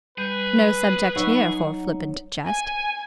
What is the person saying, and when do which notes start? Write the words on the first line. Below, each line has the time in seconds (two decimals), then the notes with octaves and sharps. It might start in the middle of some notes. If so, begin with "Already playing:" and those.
No subject here for flippant jest.
0.18 G3 G#4 B4 G6
1.16 F#3 D#4 F#5 B5 C#6 E6
2.46 G#5